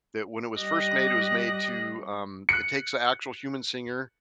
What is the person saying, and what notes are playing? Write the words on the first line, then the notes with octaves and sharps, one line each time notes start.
that when it was first made, it was made to, um it takes the actual human singer
G3 G4 D#5 D#6 F#6 A#6
F#6 C#7